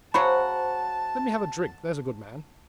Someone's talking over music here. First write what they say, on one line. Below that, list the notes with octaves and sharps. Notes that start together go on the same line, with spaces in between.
Let me have a drink, there's a good man.
C#3 F#3 F#4 C5 C#5 A5 B5